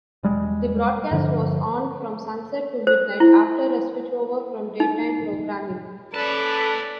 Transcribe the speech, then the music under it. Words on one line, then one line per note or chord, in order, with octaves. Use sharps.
The broadcast was on from sunset to midnight after a switchover from daytime programming.
E1 G3 G#3
G2 D3 F3
C5
E4
D#4
C#4 A4 B4 C#5 D5 A5